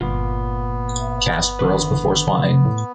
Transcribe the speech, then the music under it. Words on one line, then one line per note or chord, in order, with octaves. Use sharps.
Cast pearls before swine.
G1 A#2 B3 F4
D3 D#3 B4
A2